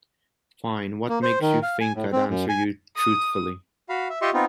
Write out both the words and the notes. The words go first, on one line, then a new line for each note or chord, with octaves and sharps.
Fine, what makes you think I'd answer you truthfully?
A#3
C5
D#3
F5
G#5
A2
C4
F#2
G#5
D#6
F#4 F5 B5
E5
F4 G4 D#5 E5 C6 C#6
B3 C4 D#4 F4